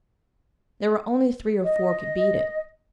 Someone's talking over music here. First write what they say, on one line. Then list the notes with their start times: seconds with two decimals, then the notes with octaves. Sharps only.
There were only three or four could beat it.
1.64 D#5